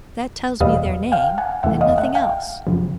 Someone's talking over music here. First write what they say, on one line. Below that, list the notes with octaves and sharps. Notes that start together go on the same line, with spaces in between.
"That tells me their name, and nothing else."
E2 B2 G3 B3 D#5 F5
F5 G5
F#5 G#5
E2 C#3 E3 A3 E5 F#5
D#5 F5
E5 F#5
F5 G5
F#2 C#3 F3